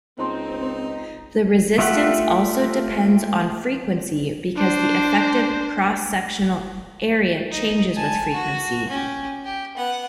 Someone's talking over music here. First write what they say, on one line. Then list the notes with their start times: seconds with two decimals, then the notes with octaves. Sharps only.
The resistance also depends on frequency because the effective cross-sectional area changes with frequency.
0.19 C#2 C4 D#4 C5 A5 C6
1.78 A3 F4 G4 E5 F#5
4.57 D4 C5
7.51 D#4
7.95 G#5 A5
8.33 F#4
8.89 C#4 G4
9.44 G4
9.76 B3 F#5